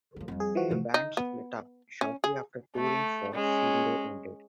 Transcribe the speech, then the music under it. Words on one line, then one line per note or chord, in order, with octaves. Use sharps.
The band split up shortly after touring for "Field Day" ended.
D#3 F3
F2 G3
G#4
E3 F3 F#4
C3 A3
D#4
B3
C#4
G#4
A3
G#3 C#4